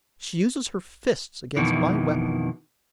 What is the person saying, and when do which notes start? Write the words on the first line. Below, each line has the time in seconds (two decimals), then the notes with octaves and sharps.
She uses her fists against my weapon.
1.57 F2 B2 D#3 E3